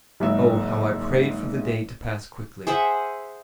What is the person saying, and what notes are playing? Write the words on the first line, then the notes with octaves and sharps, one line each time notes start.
Oh, how I prayed for the day to pass quickly!
F#1 G#2 E5
G#4 C5 E5 F#5